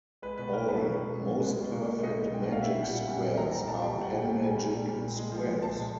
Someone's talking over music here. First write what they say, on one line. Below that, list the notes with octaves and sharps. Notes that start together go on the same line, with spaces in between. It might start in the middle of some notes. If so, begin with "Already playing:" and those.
All most-perfect magic squares are panmagic squares.
G#3 B4
B2 B4
G#3 A#4
B2 B4
G#3
B2
G#3
B2
G#3
B2
G#3
B2
G#3 D#5
B2
G#3 G5
B2 F#5
F5
G3 E5
A#2
F#5
G3
A#2 F#5
G3 G5
A#2 A#5
G3 A#5
A#2 A5
G3 G5
A#2
F#5
G3
G5
A#2
G3 G#5
A#2
G3
A#2
A#2
G#3
F3
A#2
A#2 A5
G#3